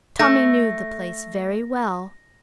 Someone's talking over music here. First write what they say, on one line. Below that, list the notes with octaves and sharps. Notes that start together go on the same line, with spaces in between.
Tommy knew the place very well.
A3 A#6